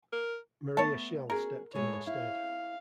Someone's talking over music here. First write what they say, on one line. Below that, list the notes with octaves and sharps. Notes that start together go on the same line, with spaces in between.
Maria Schell stepped in instead.
A#4
A3 B3 C#5 A5
C#4 F#4 G#4 A#4
A2 G#3 A3 C#5
E4 F5